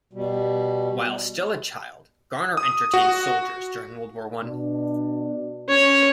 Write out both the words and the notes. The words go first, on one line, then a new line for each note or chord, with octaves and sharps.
While still a child, Garner entertained soldiers during World War One.
B2 G3
D#6
F#4
B2 D4
C#4 C#5